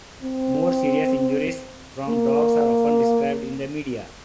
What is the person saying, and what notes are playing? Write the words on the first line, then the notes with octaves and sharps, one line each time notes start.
More serious injuries from dogs are often described in the media.
C4
A#3